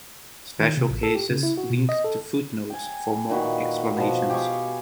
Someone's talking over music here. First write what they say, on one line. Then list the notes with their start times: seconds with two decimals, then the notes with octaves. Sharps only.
Special cases link to footnotes for more explanations.
0.60 D#3
0.77 C3
0.90 A1
1.03 A4
1.15 G4
1.30 C#3
1.43 E4
1.58 F#4
1.70 B2
1.89 D#5
2.04 A4
2.70 G5 G#5
3.30 A#2 D#3 F#4 B4
3.97 B2 F3
4.30 G4 G#4 F5 C#6